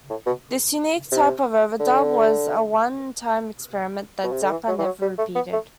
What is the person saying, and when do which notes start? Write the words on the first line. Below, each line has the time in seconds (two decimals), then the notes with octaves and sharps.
This unique type of overdub was a one-time experiment that Zappa never repeated.
0.10 A2
0.26 B2
1.12 C3
1.79 D3
4.24 B2
4.32 C3
4.42 D3
4.51 E3
4.68 F#3
4.79 E3
4.85 F#3
5.02 G3
5.18 A3
5.35 B3
5.53 A3